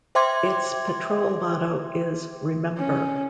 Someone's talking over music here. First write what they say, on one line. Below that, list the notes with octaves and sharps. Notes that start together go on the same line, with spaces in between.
Its patrol motto is Remember!
C5 E5 G5 C6 D6 G#6
C#4